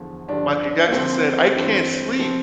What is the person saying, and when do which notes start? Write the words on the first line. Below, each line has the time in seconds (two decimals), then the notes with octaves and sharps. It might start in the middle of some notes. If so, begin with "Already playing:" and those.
Michael Jackson said, "I can't sleep
Already playing: E2 D3 F3
0.28 G2 D3 F3 D4
0.87 A#3
0.92 D2 D3 F3 C4
1.56 G2 E3 C4
2.19 C3 F3 C4